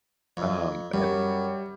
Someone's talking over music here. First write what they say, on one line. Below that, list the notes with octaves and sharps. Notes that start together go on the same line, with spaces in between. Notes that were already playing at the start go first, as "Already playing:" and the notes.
Um, and
F2
F#2 G3